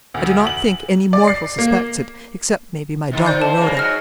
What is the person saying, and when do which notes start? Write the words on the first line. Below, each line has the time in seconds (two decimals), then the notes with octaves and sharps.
I do not think any mortal suspects it, except, maybe, my daughter Rhoda.
0.14 D2
0.47 F#7
1.13 D5
1.28 C7
1.58 A#3
3.11 C3 D#3 F4
3.26 C5 D5 G6
3.42 F3 A5
3.57 C#3 A#3
3.77 G#2 F#3 F6 A#6